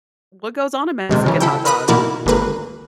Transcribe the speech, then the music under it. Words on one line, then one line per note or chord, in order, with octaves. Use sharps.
What goes on a Mexican hot dog?
D#2 G#2 C3
C#3 E3
E4 A4 G5
A#4 B4 B5 D#6 F#6
B2 D#3 A#3 E4 D5 F#5
G#1 D2 A#3 B4